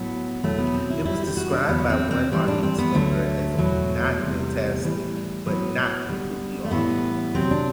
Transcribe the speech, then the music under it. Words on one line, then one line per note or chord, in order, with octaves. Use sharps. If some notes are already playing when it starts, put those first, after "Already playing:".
It was described by one audience member as "not fantastic, but not completely awful".
Already playing: A2 F#3 B3
E2 B2 F#3 A3
B3
C4
E4
A2 G3 E4
G4
F#4
D4
E2 D3 F#3 B3
C4
C4
A2 E3 G3 C4
D4
C4
B3
D2 D3 F#3 A3
E2 B2 F#3
E2 C3 G3
A2 E3 G3
A2 F#3 B3
D2 D3 G3
A3
A2 E3 G3 B3
D2 C3 F#3 C4
D4